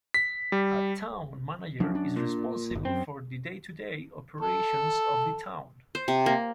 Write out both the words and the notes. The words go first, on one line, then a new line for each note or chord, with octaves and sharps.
A Town Manager is responsible for the day-to-day operations of the town.
B6
G3
F#2 F3 D4
D4
A#2
D1 G1
F#2 C4
A4
C5
C3
A#3